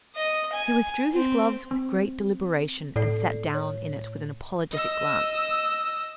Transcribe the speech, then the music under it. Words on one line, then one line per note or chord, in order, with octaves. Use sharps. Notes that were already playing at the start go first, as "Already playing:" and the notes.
He withdrew his gloves with great deliberation, and sat down in it with an apologetic glance.
D#5
G#5
C4
C4
A2 A4 D5 C7
C#5
D#5 E6